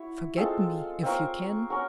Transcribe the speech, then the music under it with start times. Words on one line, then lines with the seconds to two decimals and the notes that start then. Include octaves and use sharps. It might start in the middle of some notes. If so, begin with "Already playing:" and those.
Forget me if you can!
Already playing: E4 F#4 C#5
0.37 G#3 C4 F4 A4
1.03 C4 F4 A#4 C#5
1.70 C#4 F#4 A#4